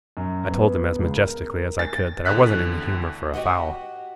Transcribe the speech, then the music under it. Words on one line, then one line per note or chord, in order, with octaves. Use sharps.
I told him, as majestically as I could, that I wasn't in the humour for a fowl.
F#2
B3
C#2
A#4
A6
E2 A2 D3 F#6 B6
F#4 G4 D5 D#5 F#5